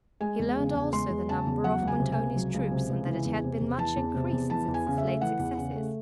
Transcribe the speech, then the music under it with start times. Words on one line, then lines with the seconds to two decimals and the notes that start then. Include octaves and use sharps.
He learned also the number of Montoni's troops, and that it had been much increased, since his late successes.
0.21 G#3 G#5
0.39 E2
0.57 C#3
0.75 E2
0.92 G#3 C6
1.10 E2
1.28 C#3 A5
1.46 E2
1.64 F#3 F#5
1.82 C#2
1.88 G#5
2.00 C3
2.12 G#5
2.18 C#2
2.36 F#3
2.54 C#2
2.71 C3
2.90 C#2
3.07 E3
3.26 E2
3.44 C3
3.61 E2
3.78 E3 A5
3.96 E2
4.14 C3
4.33 E2
4.50 E3 A5
4.68 E2
4.74 G#5
4.87 C#3
4.98 E5
5.04 A3
5.21 E3 F#5
5.39 E2
5.57 C#3
5.76 A3